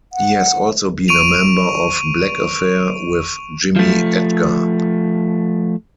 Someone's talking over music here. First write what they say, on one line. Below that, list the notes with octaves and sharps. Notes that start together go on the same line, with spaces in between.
He has also been a member of Black Affair with Jimmy Edgar.
F#5
C#6 D7 D#7 F7
F3 A3